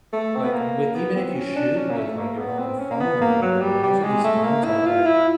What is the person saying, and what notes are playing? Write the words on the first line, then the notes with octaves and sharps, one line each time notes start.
like, with even if you shoot with, like, your own phone or whatever, most of these phones have, like,
A3
C4
B3
A#3
B3
C4
C#4
D4
C#4
A#3
A3
A#3
B3
C4
C#4
A#3
B3
A#3
F#3
G3
G3
G#3
A3
A#3
E4
F4
E4